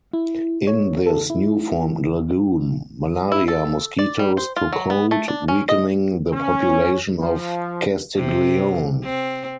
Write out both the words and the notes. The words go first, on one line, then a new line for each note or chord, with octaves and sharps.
In this newformed lagoon, malaria mosquitoes took hold, weakening the population of Castiglione.
E4
C#5
A4
E4
E4
A4
D5
G3
C5
F4
F#3
B3
A3
D4
C#4
D#5
C#4
F3
C3
C4